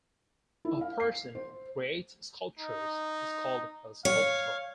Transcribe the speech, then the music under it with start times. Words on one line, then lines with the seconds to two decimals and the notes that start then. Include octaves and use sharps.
A person who creates sculptures is called a "sculptor".
0.65 E4
0.81 F5
1.00 C7
1.35 C5
2.59 D#4
4.05 C#5 F5